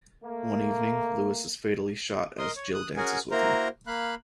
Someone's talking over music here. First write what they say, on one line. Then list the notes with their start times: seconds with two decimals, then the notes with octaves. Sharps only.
One evening, Louis is fatally shot as Jill dances with him.
0.23 A3 A#3
2.38 A#4 D#5 C6 D#6
2.56 C#5
2.74 D#6 F#6
2.97 C#4 F#4 G#4 A#4 F#5 G#5
3.31 A#3 E4 F#4 A#4 C5 A#5
3.87 A#3 F5 B5 F#6